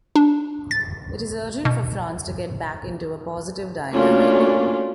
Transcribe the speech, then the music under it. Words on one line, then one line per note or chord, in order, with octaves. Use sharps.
It is urgent for France to get back into a positive dynamic.
D4
A6
B2
A3 A#3 C#4 D4 F4 F#4